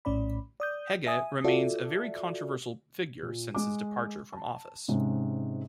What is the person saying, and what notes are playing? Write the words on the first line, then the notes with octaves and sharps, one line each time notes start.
Hege remains a very controversial figure since his departure from office.
A#1 A2 C#4 D5 B5
D5 D#6 G6
E5 G#5 D#6
F4 F#4 A4 D5 E5
A#2
G#3 D6
A5
G#2 C3 G#3 C#4